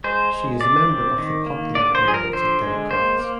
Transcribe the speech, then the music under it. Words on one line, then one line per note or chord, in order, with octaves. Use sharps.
She is a member of the Popular Alliance of Democrats.
G#3 C5
G#3
D3 D5
C4
D#3
A#3
D3 D5
C5
F3 G#4
A#4
D3 C5
G#3
A#3 C5
A#3